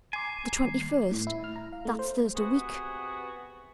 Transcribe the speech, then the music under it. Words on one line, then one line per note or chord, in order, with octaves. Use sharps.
'The twenty-first--that's Thursday week.
G#5 A#5 C6 D6 C7
D#3 G3 A#3
A2
E4
F6
A#5
F5
A3
C5
C3 B3 F#4 G#4